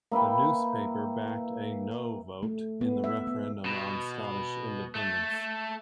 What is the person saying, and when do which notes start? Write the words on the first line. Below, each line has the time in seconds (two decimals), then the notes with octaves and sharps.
The newspaper backed a 'No' vote in the referendum on Scottish independence.
0.12 A#3 E4 B4 G5
2.43 A3
2.81 B3
3.04 E5
3.27 B3
3.66 B2
4.95 A3